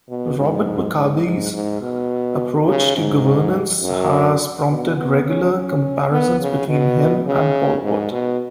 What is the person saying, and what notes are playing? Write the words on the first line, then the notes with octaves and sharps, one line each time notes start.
Robert Mugabe's approach to governance has prompted regular comparisons between him and Pol Pot.
B2
G#2
G#2
G#2
G#2
B2
C#3
G#2
F#2
B2
B3
C#4
C#4
B3
C#3
B2
C#3
G#2
B2